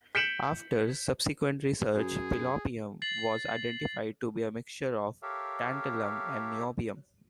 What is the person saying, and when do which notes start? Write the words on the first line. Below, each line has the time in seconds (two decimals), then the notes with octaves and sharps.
After subsequent research pelopium was identified to be a mixture of tantalum and niobium.
0.15 G6 B6 C#7 D7 E7 F#7
1.94 F#2 G#4
3.02 A6 C7 F#7
5.23 G4 A4 A#4 C#5 E5 F5